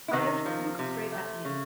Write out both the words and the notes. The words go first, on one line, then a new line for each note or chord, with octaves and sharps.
Alyosha, look straight at me!
E4
C3 D#3 D#4
F3
C3
A3
C#3